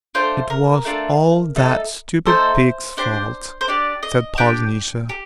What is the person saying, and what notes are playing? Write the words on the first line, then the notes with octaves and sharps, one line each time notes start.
"It was all that stupid pig's fault," said Polynesia.
A3 D4 F4 C5
A#4
A3 D4 F4
A3 D#4 A4
A3 D#4 A4 C5
D4 G4 C5
C5
D4 G4 D5
D#5
D4 G4 G5
G4